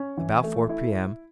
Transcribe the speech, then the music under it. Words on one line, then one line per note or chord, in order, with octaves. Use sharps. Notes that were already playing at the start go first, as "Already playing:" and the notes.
About four p.m.
Already playing: C#4
E3
A3
E4